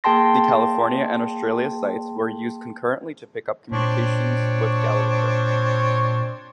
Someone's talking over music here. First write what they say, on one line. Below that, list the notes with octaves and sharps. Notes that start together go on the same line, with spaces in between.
The California and Australia sites were used concurrently to pick up communications with Galileo.
A#3 G#4 G5 A5 C6 A#6
A#2 C4 D4 C#5